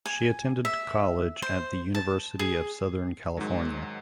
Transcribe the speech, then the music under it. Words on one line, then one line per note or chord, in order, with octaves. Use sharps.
She attended college at the University of Southern California.
G#5
E5
C5
A5
G#4
G#2 D#3 F#3